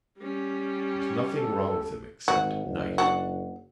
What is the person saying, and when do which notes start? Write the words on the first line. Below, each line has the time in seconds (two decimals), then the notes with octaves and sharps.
There's nothing wrong with him except at night.
0.19 G3 C#4
1.33 A4
2.28 G#1 F#4
2.66 F#1
2.98 D4 F#4